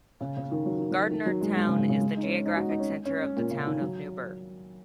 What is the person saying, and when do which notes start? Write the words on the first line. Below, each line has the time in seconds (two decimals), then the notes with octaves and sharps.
Gardnertown is the geographic center of the Town of Newburgh.
0.21 C#3
0.37 C#3
0.51 D#3
0.66 F#3
0.78 D#3
0.90 F#3
1.11 D#3
1.26 F#3
1.41 G#3
1.56 G#3
1.67 C#3
1.79 C#3
1.89 C#3
2.01 G#3
2.17 D#4
2.23 C#4
2.45 D#4
2.57 F#4
2.69 D#4
2.80 C#4
3.05 C#4
3.21 C#4
3.37 A#2
3.51 C#3
3.67 D#3
3.81 F#3